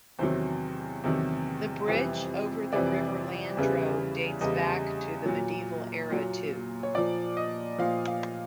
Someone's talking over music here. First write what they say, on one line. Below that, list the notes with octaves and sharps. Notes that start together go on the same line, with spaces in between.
The bridge over the river Landro dates back to the medieval era too.
E2 C3 D#3 F#3 C5
E2 C3 D#3 F#3
F2 C3 E3 G3
F2 C3 E3 G3 D5
E2 C#3 E3 G3
E2 C#3 E3 G3 D#5
A#2 F#3
A#2 F#3
C#5
A#2 F3 D5
D#5
A#2 F3 F5
F5